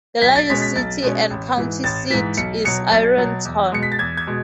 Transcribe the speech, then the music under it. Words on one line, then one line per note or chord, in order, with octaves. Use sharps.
The largest city and county seat is Ironton.
B1 B6
A6
B2 G#3 C#4 B6
B6
B1 A6
B2 G#3 C#4
A1
G#2 E3
A1 A6
G#2 E3 B6
B1 C#7
B2 F#3 C#7
B1 A6
B2 F#3
E2
B2 G#3 C#7
B6
A6
E2 G#6
G#6
B2 G#3